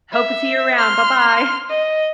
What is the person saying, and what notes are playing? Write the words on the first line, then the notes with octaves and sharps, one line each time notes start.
Hope to see you around. Bye-bye.
E5
C6 F6
D#5